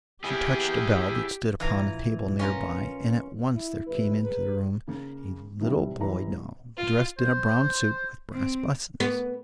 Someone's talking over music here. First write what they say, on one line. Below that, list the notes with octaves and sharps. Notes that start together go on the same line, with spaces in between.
She touched a bell that stood upon a table near by, and at once there came into the room a little boy doll, dressed in a brown suit with brass buttons.
E4 G4 G#4
A#1 E3 F5 A#5
C#4 F4 A#4
E4
G1 E4 B4
G#4 A#4 B4
C#3 A#3
B1 C3 E3 G3
D#1 E3 A#5
F4
C5
C4
B3